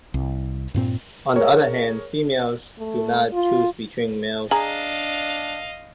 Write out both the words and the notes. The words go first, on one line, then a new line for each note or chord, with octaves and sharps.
On the other hand, females do not choose between males.
C2
G2 A#2 C4
G#4 A#4 C#5
A3
F4
D4 G#4 D#5 F5 A#5